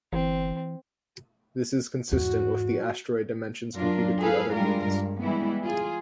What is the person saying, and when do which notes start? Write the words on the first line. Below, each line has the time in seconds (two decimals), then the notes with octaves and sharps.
This is consistent with the asteroid dimensions computed through other means.
0.13 G1 E3 C4
2.12 E2 G#2 F#4
3.77 F#2 D4 F4 A#4
4.18 G#4 A4 B4 F5
4.52 G3 G#3 D4 F4 A#4
4.87 G2
5.22 E3 G3 G#3 B3 E4
5.65 F4 G#4